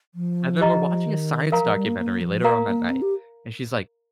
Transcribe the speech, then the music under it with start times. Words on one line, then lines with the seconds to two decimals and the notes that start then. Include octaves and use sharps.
and then we're watching a science documentary later on that night, and she's like,
0.15 F3
0.61 G4 D#5 A#5
1.06 D#3
1.52 F3 A#4 F5 A#5
1.63 F3
1.75 G3
1.86 A#3
1.98 A#3
2.21 F3
2.44 A#3 A#4 F5 A#5
2.67 A#3
2.90 C4
3.02 G4